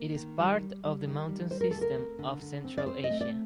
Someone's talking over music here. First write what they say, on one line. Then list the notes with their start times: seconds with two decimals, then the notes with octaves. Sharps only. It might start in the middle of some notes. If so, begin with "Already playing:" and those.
It is part of the mountain system of Central Asia.
Already playing: A#3
0.16 D#3
0.39 G3
0.61 G3
0.84 G3
1.06 D#3
1.29 G3
1.51 G3 C5
1.61 A#4
1.71 D2 A4
1.81 A#4
1.96 C4
2.19 D3
2.42 D3
2.64 C4
2.78 D5
2.86 C4 C5
3.04 D#5
3.10 A3
3.21 D5